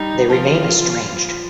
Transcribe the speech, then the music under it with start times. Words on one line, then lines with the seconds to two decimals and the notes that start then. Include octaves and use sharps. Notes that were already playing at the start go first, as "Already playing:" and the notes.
They remain estranged.
Already playing: G3 D#4
0.29 F3 F4
0.79 F4